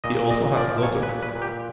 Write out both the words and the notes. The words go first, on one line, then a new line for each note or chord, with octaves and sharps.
He also has a daughter.
A#2 D#5
A#2 D#5
F3 D5
A#2 C#5
B4
A#2
B4
A#2
G4